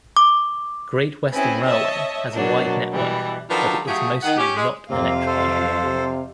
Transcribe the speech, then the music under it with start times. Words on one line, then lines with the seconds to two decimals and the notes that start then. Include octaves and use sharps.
Great Western Railway has a wide network, but it is mostly not electrified.
0.17 D6
1.31 C4 C#4 E4 G#4 B4
1.65 C#5 D#5 E5 A5
2.34 B2 F#3 A#3 D4
2.92 B2 E3 G3
3.50 D#3 F3 F#3 D4 A4 B4
3.87 F3 F#3 A3 G4 G#4
4.23 D#3 F#5
4.38 C#4 G4
4.56 G#3
4.91 F2 C3 A#3 C4 F5
5.26 A4 C5
5.83 C3